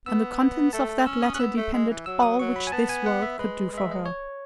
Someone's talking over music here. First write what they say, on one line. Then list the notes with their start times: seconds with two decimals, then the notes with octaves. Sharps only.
On the contents of that letter depended all which this world could do for her.
0.06 B3 E6
0.73 A3 A5
0.89 A5
1.06 C#4 E6
1.23 D#6
1.34 C#4 F#6
1.39 B3 E6
1.57 A3
1.73 G#3
1.90 E3
2.06 F#3 E6
2.23 D#6
2.39 F#3 C#6
2.56 B5
2.67 G#5
2.72 B3 A5
2.89 G#5
3.06 F#5
3.22 E5
3.38 G#3 B4
3.72 G#3
3.78 E5
3.92 D#5
4.06 C#5